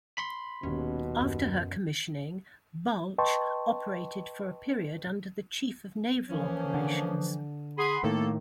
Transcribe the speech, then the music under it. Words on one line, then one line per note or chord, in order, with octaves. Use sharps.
After her commissioning, "Balch" operated for a period under the Chief of Naval Operations.
B5 C6
D#1 D#2 B2 C#4
F#2
B4 D#5 G5 A5 C6 C#6
E3 F3 A#3 C#4
D3
G#4 F#5 B5 C6
A2 D#3 A3 A#3 A4